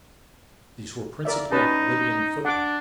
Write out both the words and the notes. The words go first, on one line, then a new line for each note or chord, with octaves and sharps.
These were principally Libyan footmen.
A#4 D5 E5
C#4 D#4 B4 A5
D4 F#5 D6